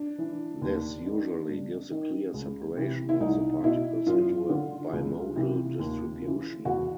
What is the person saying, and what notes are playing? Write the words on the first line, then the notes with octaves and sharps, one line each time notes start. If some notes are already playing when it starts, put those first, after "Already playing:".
This usually gives a clear separation of the particles into a bimodal distribution.
Already playing: D4
E3
D#2
D#3
G2
D#3
C#2
C3 E3
E4
C2 D#4
B2 E4
F#2 F4
D3
C#2
C3 E3
D#2
C#3 E3
E2 F#4